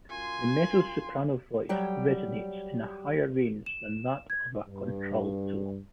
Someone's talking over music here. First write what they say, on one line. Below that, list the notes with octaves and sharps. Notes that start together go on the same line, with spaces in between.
The mezzo-soprano voice resonates in a higher range than that of a contralto.
F#2 F4 G#5 C6
F#3 G3 G5
E7
G#6
G2